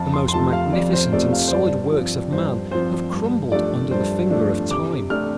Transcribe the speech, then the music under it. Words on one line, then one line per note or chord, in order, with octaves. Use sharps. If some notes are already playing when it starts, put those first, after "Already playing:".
The most magnificent and solid works of man have crumbled under the finger of time.
Already playing: F2 A5
C6
C6
C3 F3 A3 A5
F5
F2 D5
C5
C3 F3 A3 D5
F5
C5
G2 D5
F3 C4
G2 C5
F3 C4 C5
G2
F3 A3 D4 D5
G2 C5
F3 A3 D4
C3 D6
A3 D4 F6